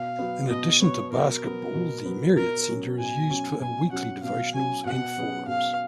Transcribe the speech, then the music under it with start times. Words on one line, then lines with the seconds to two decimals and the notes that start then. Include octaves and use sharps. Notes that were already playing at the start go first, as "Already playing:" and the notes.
In addition to basketball, the Marriott Center is used for weekly devotionals and forums.
Already playing: B2 F5
0.19 F#3 B3
0.50 B2 D#5
0.81 F#3 B3 C#5
1.12 B2 A#4
1.43 F#3 B3
1.74 B2
2.05 F#3 B3
2.36 B2 A#4
2.68 F#3 C#4
2.99 B2 G#5
3.30 F#3 C#4
3.60 B2 G#5
3.92 F#3 C#4 F#5
4.23 B2 F5
4.54 F#3 C#4 G#5
4.85 B2 F#5
5.17 F#3 C#4 G#4 B4
5.47 B2 F5